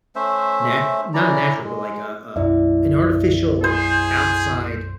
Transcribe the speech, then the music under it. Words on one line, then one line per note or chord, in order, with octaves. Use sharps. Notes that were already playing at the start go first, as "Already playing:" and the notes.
nat not a natural, but like a a an artificial, outside
A3 C#4 C5 E5
C#4 E4 D5 A#5
G#3
B1 F#2 E4 D5 E5
G#4 C5